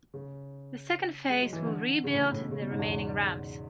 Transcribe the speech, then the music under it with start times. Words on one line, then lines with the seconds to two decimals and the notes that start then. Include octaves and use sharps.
The second phase will rebuild the remaining ramps.
0.14 C#3
1.30 G#3
1.42 F#3
1.53 E3
1.66 D3
2.04 C#3
2.13 A2
2.32 A2
2.41 B2
2.51 C#3
2.61 B2
2.70 G#2
2.79 E2